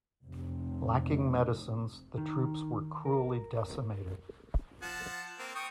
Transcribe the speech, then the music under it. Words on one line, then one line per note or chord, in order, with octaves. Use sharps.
Lacking medicines, the troops were cruelly decimated.
F1 C3
D#3
A#4
F3 F#5 A5
A#3 C4
G5 C#6 D#6